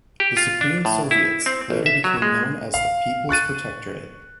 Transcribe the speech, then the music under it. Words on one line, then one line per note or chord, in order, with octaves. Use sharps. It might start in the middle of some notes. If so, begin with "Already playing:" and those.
The Supreme Soviets later became known as the People's Protectorate.
G4
F4
D4
A2
E4
C4
A1
E5
F#3
G#3
F5
C#6 F#6 A6 D#7